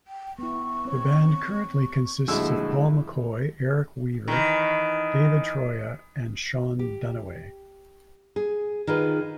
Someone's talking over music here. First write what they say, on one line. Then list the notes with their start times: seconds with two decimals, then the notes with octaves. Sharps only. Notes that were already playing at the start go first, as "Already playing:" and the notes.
The band currently consists of Paul McCoy, Eric Weaver, David Troia and Sean Dunaway.
0.07 G5
0.39 B3 E4 C#6
0.85 C4 C#5
2.28 D#1 D#2 D3 F3 G#3 E4 F#4 E6
4.28 D#3 E3
6.79 G4
8.36 G#4
8.87 D#3 F4 G#4 B4